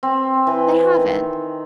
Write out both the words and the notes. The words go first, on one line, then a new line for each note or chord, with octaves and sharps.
They haven't.
C4
E3
D#3